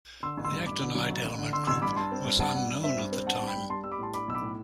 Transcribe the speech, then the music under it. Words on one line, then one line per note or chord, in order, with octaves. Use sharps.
The actinide element group was unknown at the time.
D3 C6 E6
A1
C6 E6
G2
A1 B5 D6
D3
F#3
A1
A1
D3
D3 C6 E6
A1 C6 E6
G2 B5 D6
G2 A5 C6
C4
G2
G2 F#5 A5
G2 F#5
G2
C4 E5
G2
C4
G2 F#5 A5
G2
G5 B5
G2
G3 A5 C6
G3 E6
B5 D6
A2 A5 C6
D4 B5 D6
B1 E6
B5 D6
A2